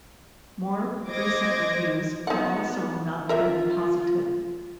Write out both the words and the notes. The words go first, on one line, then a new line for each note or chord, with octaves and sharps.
More recent reviews have also not been positive.
C5 D#5 D6 G#6 A#6
B3 D#4 F#5
F4 A#4 E5